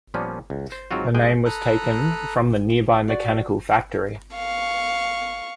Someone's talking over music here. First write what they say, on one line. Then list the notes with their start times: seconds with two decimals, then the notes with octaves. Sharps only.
The name was taken from the nearby mechanical factory.
0.14 A#2 F3 G3 A#3 B3 C#4
0.50 C#2
0.72 C5
0.91 G#2 F#3 C4 F4 F#4
1.15 C3 G#3 G#4 G5 G#5
1.45 A4 A#5 B5 D#6 F#6
3.08 F#4 D5
4.34 F5 C#6